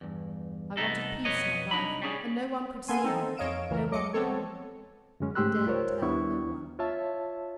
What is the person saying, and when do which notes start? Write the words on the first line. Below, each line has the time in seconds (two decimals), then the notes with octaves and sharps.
I wanted peace, not life. And no one could see him; no one knew--I dared tell no one.
0.01 E2 G2
0.77 C2 B3 D#4 A4
1.25 F2 B2 B4 C#5 D#5
1.71 C2 D4 D#4 B5
2.02 G3 C#4 G#4
2.88 A#3 B3 A4 G#5 C6 D#7
3.04 C4 D#4 A4
3.37 F2 C#5 D#5 F5 D7 E7
3.70 C#2 E3 A#4
3.92 F#3 D#5 D6 C#7
4.13 B3 C4 A4 C#5
5.20 F#2 D3 G#3 C#4
5.35 G#2 A3 G4 C6 E6 F#6
5.66 C#2 F4 A#4 C5 C#5
6.02 D#2 B3 D4 E4 C#6
6.79 F4 C#5 E5 A5